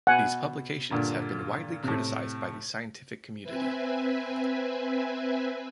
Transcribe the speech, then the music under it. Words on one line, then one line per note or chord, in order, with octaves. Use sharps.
These publications have been widely criticised by the scientific community.
B2 F#5 G#5
G2 A#2 D3
A2 C3
C4 B4 E5 G#5